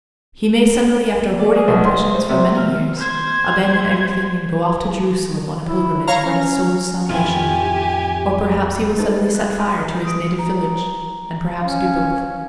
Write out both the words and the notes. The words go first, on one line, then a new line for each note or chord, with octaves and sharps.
He may suddenly, after hoarding impressions for many years, abandon everything and go off to Jerusalem on a pilgrimage for his soul's salvation, or perhaps he will suddenly set fire to his native village, and perhaps do both.
D5
G#4
B1
C6
C5
C3
F6
C5 G#6
E4
C#5 F5 A#5
C#4
F2 A2 D#3 E4 F4 G4 G#5
D#4 E4 A4 B4 C5 A6
B4
F#6
A#5 B5 D6 D#6 F6 G6
D#6 D7
A#5
C#4 F5